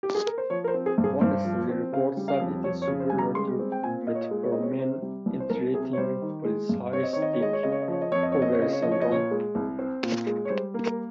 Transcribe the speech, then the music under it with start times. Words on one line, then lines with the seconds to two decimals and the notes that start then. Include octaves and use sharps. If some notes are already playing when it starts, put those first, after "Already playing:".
One study reports that it is superior to metformin in treating polycystic ovary syndrome.
0.03 G4
0.15 G#4
0.27 A#4
0.38 C5
0.50 F3 C#5
0.64 A#4
0.68 C5
0.74 C4
0.86 G#4
0.98 G2
1.04 G#4
1.21 G2 C5
1.45 F3
1.69 C4
1.92 C#3 F5
2.17 G3
2.28 F5
2.40 F2
2.64 F2 C#5
2.82 C#5
2.88 C#3
3.00 C5
3.10 G3 G#5
3.18 A#5
3.35 G#3 C6
3.59 C4
3.72 G5
3.83 A#2 G#5
4.07 A#2 D#5
4.15 C#5
4.24 D#5
4.31 G#3
4.43 C#5
4.53 C4 D#5
4.62 C#5
4.79 C3 C5
5.02 G3
5.26 C2
5.40 C5
5.49 C2 A#4
5.74 C3 G#4
5.93 C#5
5.98 G3 C5
6.22 D#3
6.45 G#3
6.69 G2
6.93 C4 C#5
7.03 D#5
7.13 D#3 C#5
7.22 D#5
7.33 C#5
7.41 G#3 D#5
7.53 C#5
7.63 C#3 D#5
7.72 C#5
7.82 D#5
7.88 F3 C#5
8.02 D#5
8.12 F2 C#5
8.23 D#5
8.32 C4 C#5
8.42 D#5
8.53 C#5
8.59 C#3 D#5
8.73 C#5
8.82 F3 D#5
8.92 C#5
9.02 D#5
9.07 A#2 C#5
9.31 G#3
9.55 C2
9.79 C4 C5
10.03 A#2
10.27 G#3
10.45 C#5
10.50 G3 C5
10.74 A#3
10.86 A#4